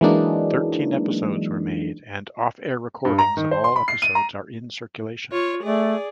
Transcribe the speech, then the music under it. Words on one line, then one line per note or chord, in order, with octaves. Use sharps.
Thirteen episodes were made and off-air recordings of all episodes are in circulation.
E3 F#3 G#3 A#3 D4 D#4
G2
A#5
D#3
C5
C6
B5
C7
D#7
A#5
F4 C#5
A3 G#4 D5